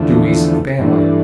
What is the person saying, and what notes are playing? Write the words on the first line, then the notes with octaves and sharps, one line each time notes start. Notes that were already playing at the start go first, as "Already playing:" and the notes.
Dewey's family.
Already playing: E2 D3 F3 A3
G2 E3 A3 D4